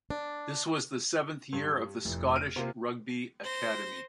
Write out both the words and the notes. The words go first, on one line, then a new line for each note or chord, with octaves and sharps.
This was the seventh year of the Scottish Rugby Academy.
D4
G2
F1 A2
F6 D7 D#7
C3 A#3 C4 F4
C5 A#6